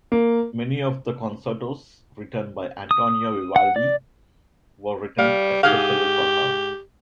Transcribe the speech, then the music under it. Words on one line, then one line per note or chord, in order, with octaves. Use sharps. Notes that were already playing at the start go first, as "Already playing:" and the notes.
Many of the concertos written by Antonio Vivaldi were written especially for her.
A#3
D#6
F#5
D5
G3 F5
G#2 G4 G#4 F5